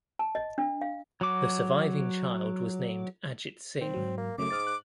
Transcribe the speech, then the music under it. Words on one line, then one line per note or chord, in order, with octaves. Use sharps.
The surviving child was named Ajit Singh.
A5
D#5
D4
F5
F#3 F#4 D6
D#3 C4
G#2 F#3
A#3
F#2 C#3 F#3 A3 D6
G#2 D#6 F6 A6
F#6